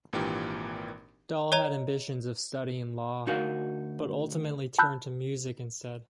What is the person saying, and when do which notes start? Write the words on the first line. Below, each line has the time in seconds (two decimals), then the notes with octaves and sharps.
Dall had ambitions of studying law, but ultimately turned to music instead.
0.13 G#1 A#2 E3 D4 G4 A#4
1.52 C#5 D#5 A#5 F7
3.27 D2 D#4 F#4 A#4 F5
4.79 A5 B5 E6 F#6 G6